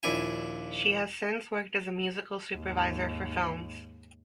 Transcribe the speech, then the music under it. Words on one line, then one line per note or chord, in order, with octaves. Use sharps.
She has since worked as a musical supervisor for films.
A#1 D#2 D4 E4 G#5
D#2 G#2